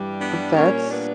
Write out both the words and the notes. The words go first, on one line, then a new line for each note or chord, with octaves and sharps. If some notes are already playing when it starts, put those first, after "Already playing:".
Um, vets?
Already playing: G2 E3 G3
B3 D4
A#2 G3 A#3 C#4
B3 D4